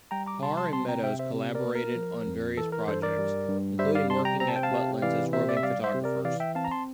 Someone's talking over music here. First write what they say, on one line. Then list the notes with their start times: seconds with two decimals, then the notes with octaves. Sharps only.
Parr and Meadows collaborated on various projects, including working at Butlin's as roving photographers.
0.11 G3 G5 A#5
0.26 A#5 D6
0.42 C3 A5 C6
0.57 A5 C6
0.73 C4 A5 C6
0.88 G5 A#5
1.03 C3 E5 G5
1.19 C5 E5
1.34 C3
1.55 A#4 D5
1.65 A#3
1.75 A#4
1.96 F3
2.26 F2
2.57 E3 A4
2.72 A#4
2.87 G2 A4 C5
3.02 A#4 D5
3.18 G3
3.48 G2
3.79 G3 C5 E5
3.95 D5 F5
4.10 C3 A5 C6
4.25 G5 A#5
4.40 C4 A#5
4.48 A5
4.56 G5
4.63 F5 A5
4.71 C3
5.02 E3 D5 F5
5.33 C3 C5 E5
5.49 D5
5.57 E5
5.63 G3 D5 F5
5.84 C5 E5
5.95 C3
6.04 A#4 D5
6.24 E3 D5 F5
6.40 E5 G5
6.55 C4 F5 A5
6.65 A#5
6.71 A5 C6